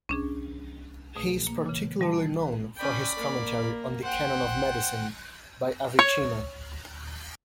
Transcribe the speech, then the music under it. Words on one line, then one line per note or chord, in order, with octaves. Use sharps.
He is particularly known for his commentary on "The Canon of Medicine" by Avicenna.
C2 C#4 D4 G#4
B2 A3 G#4
A#3
A#2 C#3 E3
E3 G3 A5
C#4 D5 G5 B5
A#3
C5 F#5 G5
C#5